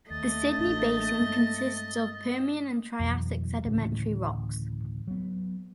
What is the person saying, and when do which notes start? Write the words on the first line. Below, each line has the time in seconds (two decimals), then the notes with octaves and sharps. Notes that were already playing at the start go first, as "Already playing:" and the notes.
The Sydney Basin consists of Permian and Triassic sedimentary rocks.
0.10 D#2 A3 D#5 A6
0.59 A1 A2 D4
1.19 G2 G#3 C4
2.99 F2 B2 E3 F#3
3.65 D2 A2 C#3 E3
5.07 F#3 B3